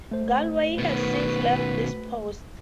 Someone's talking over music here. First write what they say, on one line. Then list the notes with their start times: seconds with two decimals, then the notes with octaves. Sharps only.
Galway has since left this post.
0.11 A3 C5
0.78 B2 D#3 F#4 B4